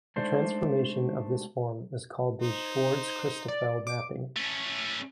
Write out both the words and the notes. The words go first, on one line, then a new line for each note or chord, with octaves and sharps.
A transformation of this form is called a "Schwarz-Christoffel mapping".
G#3 A3 D4 D#4 C5 D5
D#4 C5
D5
D6
A3 C#4